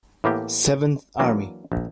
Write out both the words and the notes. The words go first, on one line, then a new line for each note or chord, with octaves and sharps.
Seventh Army.
A2 E3 A#3 B3 G4
E3 F#3 A#3 D4
A#1